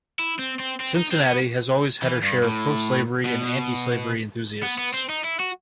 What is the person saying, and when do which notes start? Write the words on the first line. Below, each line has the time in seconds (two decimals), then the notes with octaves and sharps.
Cincinnati has always had her share of pro-slavery and anti-slavery enthusiasts.
0.19 E4
0.39 C4
0.59 C4
0.80 C4
0.96 D#4
1.11 C4
1.26 B3
2.03 E3
2.23 G2
2.44 A2
3.25 B2
4.63 B3
4.78 B3
4.94 C4
5.09 D#4
5.24 E4
5.40 F#4